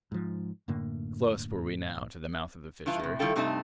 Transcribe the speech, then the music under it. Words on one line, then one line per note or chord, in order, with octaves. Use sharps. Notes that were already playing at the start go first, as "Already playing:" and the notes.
Close were we now to the mouth of the fissure.
G#2 F3
F#2 A2 D3 A#3
G2 E3 F4 A5
A2 C3
D#3 G3 E4 F4 A4 G5
G2 C3 A3 D#4 A5